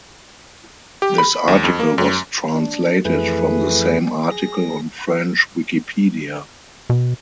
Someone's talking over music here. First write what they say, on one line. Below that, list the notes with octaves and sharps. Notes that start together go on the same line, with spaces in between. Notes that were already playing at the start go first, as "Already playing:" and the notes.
This article was translated from the same article on French Wikipedia.
G4
B5
D#2
F2
A#3
F#2
D4
F2 E3 A3 G#4 B4
G#4 A#6
B2